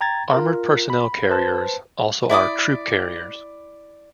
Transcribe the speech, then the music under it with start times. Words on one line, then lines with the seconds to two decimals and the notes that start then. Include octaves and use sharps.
Armoured personnel carriers also are troop carriers.
0.01 G5 A#5 G#6 A6
0.33 F4 A#4
0.90 B5
1.30 B4 C5 A5
2.30 E4 D5 D6 D#6